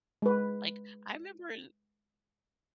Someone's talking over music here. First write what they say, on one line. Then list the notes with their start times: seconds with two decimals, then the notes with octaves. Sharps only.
like, I remember i
0.22 G#3 B4